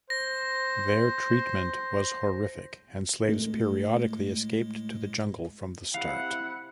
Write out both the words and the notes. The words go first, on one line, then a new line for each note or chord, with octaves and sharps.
Their treatment was horrific, and slaves periodically escaped to the jungle from the start.
C5 A#6
A2 G#3 A3
C3 E4 F5 F#5